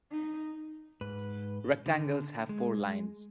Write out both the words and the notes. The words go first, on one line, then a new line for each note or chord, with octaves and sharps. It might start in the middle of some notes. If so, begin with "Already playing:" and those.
Rectangles have four lines.
D#4
G#2 B4
D3
G#3